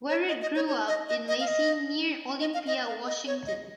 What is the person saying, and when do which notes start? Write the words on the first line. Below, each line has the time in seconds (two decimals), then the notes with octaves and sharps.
Wherret grew up in Lacey near Olympia, Washington.
0.09 C#5
0.28 D#5
0.42 D#5
0.56 C#5
0.68 C#5
0.88 D#5
1.09 D#5
1.28 D#5
1.40 F5
1.48 D#5
2.41 D#5
2.54 F5
2.67 D#5
2.87 F5
3.07 D#5
3.27 C#5
3.47 D#5